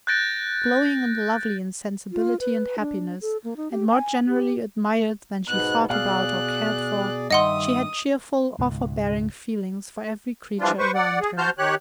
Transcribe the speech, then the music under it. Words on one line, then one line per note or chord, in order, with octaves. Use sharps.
Glowing and lovely in sensibility and happiness, and more generally admired than she thought about or cared for, she had cheerful or forbearing feelings for every creature around her.
F#6 G6 A6 A#6 D7
F4
B4
D4
A4
A#3
D#4
G4
G#5
G4
G#2 B2 B3 F#6
B2 G#4 D5 F5 F#6
G2 D#3 D#5 E5 F#5 C6 D#6
C#2 G#2 B2
E3 F3 G3 D4 F4
B4 C5 C#6
D5 F#5
G#4
F#4 C5 A5 F6 G6
D#3 G4 C#5 F#6